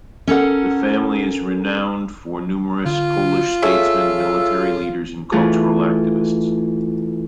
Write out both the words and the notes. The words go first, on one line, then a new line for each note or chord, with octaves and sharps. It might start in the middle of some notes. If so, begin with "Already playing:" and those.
The family is renowned for numerous Polish statesmen, military leaders, and cultural activists.
C#4 A4 A#4 F#5
D3 F4
G#4 A4 C#5 E5
E3 A3 F4 G#4